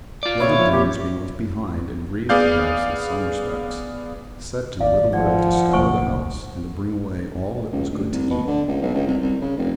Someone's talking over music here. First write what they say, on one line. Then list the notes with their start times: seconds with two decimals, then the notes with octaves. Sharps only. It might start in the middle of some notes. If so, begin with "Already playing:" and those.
The other Doones being left behind, and grieved perhaps in some respects, set to with a will to scour the house, and to bring away all that was good to eat.
0.23 F4 D5
0.40 A#2 E4 C#5
0.58 F3
0.72 A#2 G4
2.29 B3 G#4 D5 F5 G6
4.81 G#1 D5 F5
5.13 F3 D5 F#5
5.73 D1 B1 A#3 C5 G#5 C#6
7.72 C#2
7.91 D2
8.12 C2
8.30 B2
8.47 D3
8.68 C#2
8.82 B1
8.94 C#2
9.07 C2
9.21 C2
9.41 C#3
9.57 F1